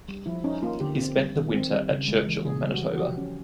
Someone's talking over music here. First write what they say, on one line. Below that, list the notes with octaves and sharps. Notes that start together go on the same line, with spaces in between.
He spent the winter at Churchill, Manitoba.
G3
F3 E4
C#4 D#4
A#3 F4
D3 G4
C4
G3
D#3
C4
G3
C#3
G#3
E3
C#3 G#4
G3
F#4
E3
F#4
F3 G4
C#4